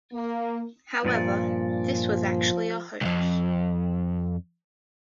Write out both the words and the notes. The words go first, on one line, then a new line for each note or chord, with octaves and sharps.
However, this was actually a hoax.
A#3
G2 A#2 F3 D5
C2 F2